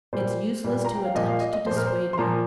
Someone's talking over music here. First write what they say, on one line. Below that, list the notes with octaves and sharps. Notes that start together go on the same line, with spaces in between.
'It's useless to attempt to dissuade me.'
A#2 G3 C5
A#2 G3
A#5
G5
F5
A#2 F3 D#5
F5
D#5
D#5
A#2 F3 C5
A#4
C5
C6
A#2 F3 A#5